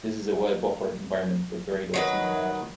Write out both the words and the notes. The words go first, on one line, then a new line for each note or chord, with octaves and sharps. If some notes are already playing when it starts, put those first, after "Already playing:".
This is a well buffered environment with very low seasonality.
D#3 F#3 B4